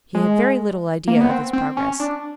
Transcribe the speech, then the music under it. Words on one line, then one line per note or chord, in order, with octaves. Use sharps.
He had very little idea of his progress.
G#3
A#3
B3
C4
C4
C#4
D4